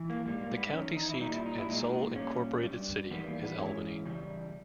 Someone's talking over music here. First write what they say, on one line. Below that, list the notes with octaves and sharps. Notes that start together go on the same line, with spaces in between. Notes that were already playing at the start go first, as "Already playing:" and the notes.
The county seat and sole incorporated city is Albany.
Already playing: E3
A#3
G#2 G3 A#3
A#3
B3
E2 D#3 C#4
D#4
E4
A#2 G3 D#4
E4
D#4
E4
A#2 G#3 D#4
A#2 G3 C#4
G2 G3
E2 D#3 G3 B3
A#3
B3
G#2 E3 G#3 C#4
E2 C#3 G3